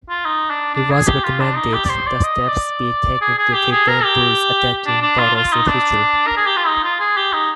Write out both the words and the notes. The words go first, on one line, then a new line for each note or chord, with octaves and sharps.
It was recommended that steps be taken to prevent birds attacking bottles in future.
F4
D#4
D4
D4
G#4
G4
F4
D4
D#4
G4
D5
C5
D5
D#5
D5
G#4
G#4
G4
G#4
A#4
G4
D4
D4
F4
F4
D#4
D4
A#4
G#4
G4
F4
D#4
F4
G#4
G4
D#4